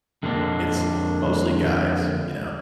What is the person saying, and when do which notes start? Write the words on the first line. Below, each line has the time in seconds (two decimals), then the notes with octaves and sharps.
it's mostly guys, you know,
0.23 F2 D3 G#3 A#3 D4